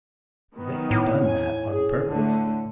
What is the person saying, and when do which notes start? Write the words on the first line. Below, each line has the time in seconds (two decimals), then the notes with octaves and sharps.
They have done that on purpose.
0.56 D#3 B3
0.91 A2
1.25 G#5
1.70 G#4
2.08 D3 A3